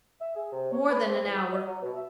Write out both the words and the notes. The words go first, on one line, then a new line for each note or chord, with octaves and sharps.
More than an hour.
E5
G#4
C3
C#5
B4
C4
E2
D#6
D#5
F#3
B2
E5